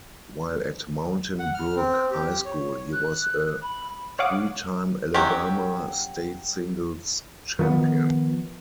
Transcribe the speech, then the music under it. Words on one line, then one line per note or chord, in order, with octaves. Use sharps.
While at Mountain Brook High School, he was a three-time Alabama state singles champion.
F#5
F6
C4
G4
C#5
F#6
B5
C#5 F5 F#5 D6 D#6
F#3 C#4 G4
D#3 F3 A3 B3